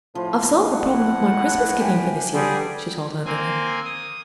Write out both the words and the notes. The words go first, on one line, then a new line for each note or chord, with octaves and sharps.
"I've solved the problem of my Christmas giving for this year," she told Aunt Emmy.
A2 F3
F#5
G4 E5 G#5
D3 G3 G4 G#4 B4
A#3 C4 G#5
D#6